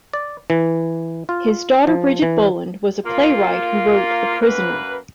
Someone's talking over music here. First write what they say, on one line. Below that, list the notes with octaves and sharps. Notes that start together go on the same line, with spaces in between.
His daughter Bridget Boland was a playwright who wrote the "The Prisoner".
D5
E3
F4
F3
E3
A#3 F4
F#2 A#3 B4